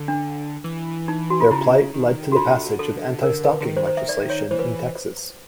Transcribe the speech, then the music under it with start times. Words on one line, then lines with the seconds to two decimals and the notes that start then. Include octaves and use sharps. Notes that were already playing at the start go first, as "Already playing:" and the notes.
Their plight led to the passage of anti-stalking legislation in Texas.
Already playing: D3
0.08 D4
0.64 E3
1.08 D#4
1.30 F#4
1.41 F4
1.51 C#3 E4
1.94 D#3
2.32 F#4
2.36 D3 F4
2.79 D3 A4
3.23 A#4
3.45 B4
3.61 D3
3.65 D#3
3.77 C5
3.87 C5
3.97 E5
4.09 D5
4.30 C#5
4.51 E3 C5
4.59 B4